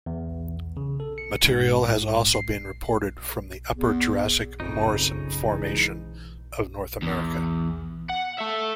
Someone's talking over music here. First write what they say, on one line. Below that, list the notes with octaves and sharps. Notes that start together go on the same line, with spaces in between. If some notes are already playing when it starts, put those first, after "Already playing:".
Material has also been reported from the Upper Jurassic Morrison Formation of North America.
E2
C#3
A4
C#7
G#2
G#2
C7
E2
F#1 F2 C#3 D#4
G#2 E3
E2
F#5
A4 E5